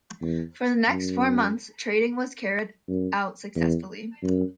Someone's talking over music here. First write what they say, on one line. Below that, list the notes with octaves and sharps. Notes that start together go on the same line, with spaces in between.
For the next four months, trading was carried out successfully.
E2
F#2
F#2
E2
F#2